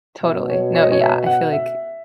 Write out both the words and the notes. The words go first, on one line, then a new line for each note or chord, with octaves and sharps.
Totally. No, yeah, I feel like
B2 E5
C#5
C#5
D#5
C#5
E5
F#5
E5